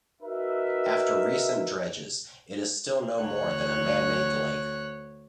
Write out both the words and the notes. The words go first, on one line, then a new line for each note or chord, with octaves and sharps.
After recent dredges, it is still no more than a man-made lake.
D#4 F#4 A#4 B4 E5
D2 C#5 F#6